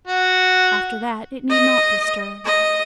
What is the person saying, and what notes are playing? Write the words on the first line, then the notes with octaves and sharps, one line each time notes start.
After that it need not be stirred.
F#4
D#5
D#5